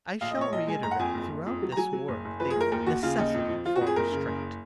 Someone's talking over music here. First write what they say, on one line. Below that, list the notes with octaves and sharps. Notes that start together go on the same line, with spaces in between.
I shall reiterate throughout this work the necessity for restraint.
A#1 F5
D#5
A#1 C#5
A#1 D#5
G#3 G#5
F#1 A#5
F#5
F2 G#5
F#1
F#1
F2
F#3
A#5
F#3 G#5
F#3
F#1
F#1
F3 B4
G#4
F#1
A#4
D#2 A#4
D#2 F#4
C#3 F4
D#2 D#4
F2
F3
F3 F4
F#4
F2
G#4
F#1 A#4
C#3
F#1